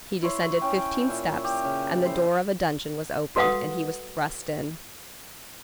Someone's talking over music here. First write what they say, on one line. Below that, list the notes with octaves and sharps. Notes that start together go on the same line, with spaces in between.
He descended fifteen steps, and the door of a dungeon was opened, and he was thrust in.
E4 C#5 C6
C#4 G5
A#2 E5
G4
C#3
E4 C5
F#4 A4 B4 F5 F#5 D#6